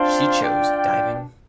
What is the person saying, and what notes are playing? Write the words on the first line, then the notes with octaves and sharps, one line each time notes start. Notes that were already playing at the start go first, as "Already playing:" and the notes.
She chose diving.
Already playing: C4 D4 F4 C5 F5
F4 D5 G5